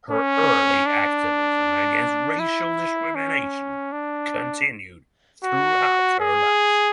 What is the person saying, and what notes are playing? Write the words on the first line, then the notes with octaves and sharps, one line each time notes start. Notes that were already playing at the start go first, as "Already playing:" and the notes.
Her early activism against racial discrimination continued throughout her life.
C#4
D4
E4
C#4
D4
F#4
G#4